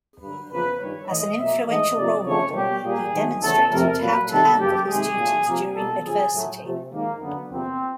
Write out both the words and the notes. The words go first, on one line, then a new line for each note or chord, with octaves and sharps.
As an influential role model, he demonstrated how to handle his duties during adversity.
G2 D3 F#3 B4
E2 C#3 F3 A#3 B4
G2 D#3 G3 C#5
A2 E3 A3 D#5
B2 F#3 A#3 E5
G#2 E3 A3 D#5
C3 F3 A#3 D5
F2 C#3 F3 A3 C#5
B2 G3 A#3 G4
A#2 G3 A#3 G#4
G#2 D#3 F#3 A3
E2 C#3 E3 A3 A4
F2 C3 F3 A3 A#4
A#2 F#3 A#3 B4
C3 D#3 G3 A4
F#2 C#3 F#3 A#3 G4
C3 D#3 G#3 G#4
A#2 F#3 A3
F2 C3 F3 A#3
B2 G3 A#3 A4
F#2 C#3 F3 G#4
A2 F#3 A3
C3 F3 A3
G#2 D#3 G#3 A#3
F#2 D3 F#3 B3
E2 C3 F3 A#3 C4